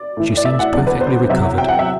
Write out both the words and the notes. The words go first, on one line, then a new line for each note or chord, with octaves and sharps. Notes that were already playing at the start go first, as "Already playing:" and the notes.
She seems perfectly recovered.
Already playing: D5
A2 E3
D5
E5
F#5
E2 D3 F#3 D5
B4
C5
E2 C3 F#3 E5
G5
F#5
E5